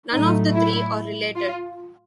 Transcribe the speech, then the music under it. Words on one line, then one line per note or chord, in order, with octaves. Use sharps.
None of the three are related.
A2 F#3 A3 D#4
E4
F4